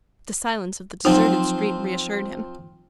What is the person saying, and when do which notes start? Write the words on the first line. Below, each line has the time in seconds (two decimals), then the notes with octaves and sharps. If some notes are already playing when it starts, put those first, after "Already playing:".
The silence of the deserted street reassured him.
1.05 F3 F#3 C4 D#4